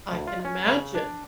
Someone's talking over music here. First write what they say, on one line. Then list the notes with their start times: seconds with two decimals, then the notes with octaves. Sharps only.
I can imagine.
0.12 D2
0.27 F4
0.45 C#4
0.66 C#3
0.95 D4